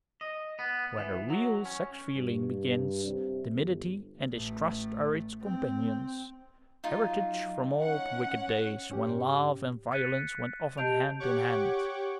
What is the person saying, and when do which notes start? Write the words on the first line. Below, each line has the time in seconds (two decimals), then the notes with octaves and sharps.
Where the real sex feeling begins, timidity and distrust are its companions, heritage from old wicked days when love and violence went often hand in hand.
0.21 D#5
0.59 B3
0.98 E3
1.30 F#3
1.66 C#4
2.17 G2
3.04 C3
3.53 G1
4.29 A1 A3
5.42 C4
6.84 F#3 D#4 F4
7.81 C#4 F#5
8.90 G#2 C#4 G4
9.91 F#6 G#6 A6 B6 C#7 D#7
10.77 G4 D#5 A5 G6 D7 F7
11.20 G4 C#5 F#5 C#6 D6